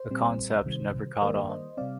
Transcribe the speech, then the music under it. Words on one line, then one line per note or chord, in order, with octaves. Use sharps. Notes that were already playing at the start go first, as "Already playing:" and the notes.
The concept never caught on.
Already playing: C5
A#2 G3 C4
C3 D#3 G3
D#3 G3 A#3 A#4 D5
C5 D#5
C3 G3 C4 D5 F5